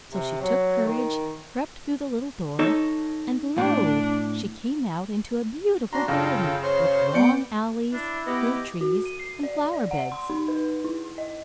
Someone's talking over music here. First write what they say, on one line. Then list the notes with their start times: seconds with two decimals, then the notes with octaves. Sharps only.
So she took courage, crept through the little door, and lo! she came out into a beautiful garden, with long alleys, fruit-trees, and flower-beds.
0.11 C3
0.41 F#3
0.85 D#3
2.59 D#4 A4 C#5
3.58 A2 D4
5.93 D4 F#4 A#5 C6 A#6
6.08 F#2 C#3 F4 A4 F5 G5
6.63 C5 C#5 C6 C#6
7.14 B3 D5 G6 C#7 D7
7.93 D4 E4
8.26 B3 G4 D#5 D6
8.81 F#4
9.06 D#7
9.19 C7
9.43 D5
9.73 D5
9.91 F#5
10.12 C6
10.30 D#4
10.48 B4
10.84 E4
11.18 D#5